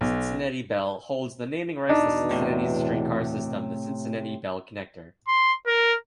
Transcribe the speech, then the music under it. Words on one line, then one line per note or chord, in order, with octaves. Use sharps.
Cincinnati Bell holds the naming rights to Cincinnati's streetcar system, the Cincinnati Bell Connector.
B1
E2 B2 D4 D#4
A2 C3
C6
A#4